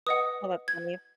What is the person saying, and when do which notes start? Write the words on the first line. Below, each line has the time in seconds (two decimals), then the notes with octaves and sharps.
Hold up, honey.
0.07 B4 D#5 F#5 D#6
0.68 G#6